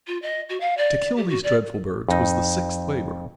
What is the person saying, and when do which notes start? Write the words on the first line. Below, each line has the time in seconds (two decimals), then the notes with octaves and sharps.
To kill these dreadful birds was the sixth labor.
0.07 F4
0.22 D#5
0.49 F#4
0.60 F5
0.77 D5
1.16 G4
1.28 F#4
1.43 D5
2.09 F2 D#4